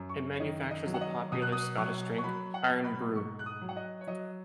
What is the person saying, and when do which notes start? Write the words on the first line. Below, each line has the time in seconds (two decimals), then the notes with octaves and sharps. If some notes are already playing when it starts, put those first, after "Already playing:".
It manufactures the popular Scottish drink, Irn-Bru.
Already playing: F#2
0.09 C#6
0.34 C#5
0.40 D#3 D#5
0.71 D#5
0.86 F#3
0.94 F#5
1.01 D#5
1.32 B2 D#6
1.42 F#6
1.52 D#6
1.77 F#3 C#6
2.18 C#6
2.23 F#3 B5
2.54 F#5
2.69 B2
2.85 B5
3.16 G#2 C#6
3.39 F#6
3.46 D#6
3.61 F#3
3.69 F#5
3.77 D#5
4.01 C#5
4.07 F#3 D#5